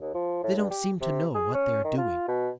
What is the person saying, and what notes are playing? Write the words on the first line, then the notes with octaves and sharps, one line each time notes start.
They don't seem to know what they are doing.
D#2
F3
A2
G2
G4
C3
G#4
C#4
D#3
F4
B2